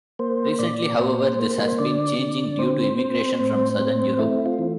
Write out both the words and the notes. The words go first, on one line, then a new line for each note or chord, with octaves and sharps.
Recently, however, this has been changing due to immigration from Southern Europe.
A#3 C5
A#2 D5
A#2 C5
A#3
C5
D3 D5
D3
C4 C5
C4
A2 C5
C4
A3 E4
F4
E3